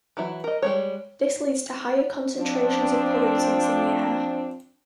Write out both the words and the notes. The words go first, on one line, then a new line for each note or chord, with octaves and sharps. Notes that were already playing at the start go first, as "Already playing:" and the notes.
This leads to higher concentrations of pollutants in the air.
E3 F#3 E4
A#4 D#5
G3 G#3 C#5
F3 C4 D4